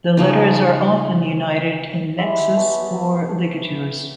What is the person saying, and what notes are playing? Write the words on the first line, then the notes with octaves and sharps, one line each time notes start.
The letters are often united in nexus or ligatures.
C#3 F3 D#4
G#3 E4 G4
B3 C#5 A5